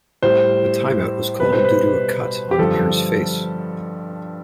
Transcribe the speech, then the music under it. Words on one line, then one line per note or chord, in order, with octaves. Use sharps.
A time out was called due to a cut on Mir's face.
A2 G3 C5
B2 G3 B4
C5
B4
G4
G2 D3 F3 A4